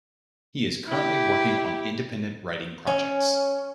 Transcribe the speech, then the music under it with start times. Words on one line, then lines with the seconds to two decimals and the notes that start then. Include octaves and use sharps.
He is currently working on independent writing projects.
0.88 E4 G4
2.87 C#4